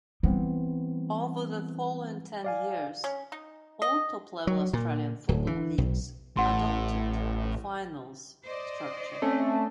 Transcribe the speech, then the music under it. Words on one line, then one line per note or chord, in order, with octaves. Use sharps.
Over the following ten years, all top-level Australian football leagues adopted a finals structure.
E3 G3 B3 C4
D5 F5 G#5
C#4
D#4
D#5
F#3
A#2
D1
E3
B1
A1 A2 F#5 C6
C5 D5 D#5
A3 C4 C#4